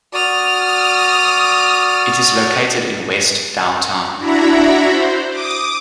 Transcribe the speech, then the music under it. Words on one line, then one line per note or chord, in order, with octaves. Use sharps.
It is located in west downtown.
F#4 D5 D#6 F6
D4 E4 F#4 E5 A#5 B5
C5
D6 D#6